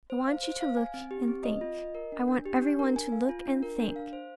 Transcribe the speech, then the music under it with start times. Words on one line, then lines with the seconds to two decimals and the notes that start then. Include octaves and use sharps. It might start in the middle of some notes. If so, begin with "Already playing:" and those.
I want you to look and think. I want every one to look and think.
0.10 C5
0.27 F5
0.43 C5
0.61 F5
0.77 G#5
0.94 C4
1.11 G4
1.28 C4
1.44 D#5
1.61 F4
1.79 D#5
1.95 A#4
2.12 D4
2.28 D4
2.46 G4
2.62 D4
2.79 A#4
2.96 G#5
3.12 F5
3.29 F4
3.46 D4
3.63 A#4
3.80 D4
3.96 F5
4.13 C5